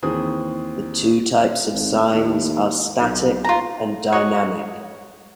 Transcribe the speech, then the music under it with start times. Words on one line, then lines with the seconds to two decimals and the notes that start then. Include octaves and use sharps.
The two types of signs are static and dynamic.
0.03 D#2 E3 C4 G#4 D#6
1.73 G#1
2.13 D#2
3.01 B1
3.44 F4 A#5
4.12 F#4 C#5 D#5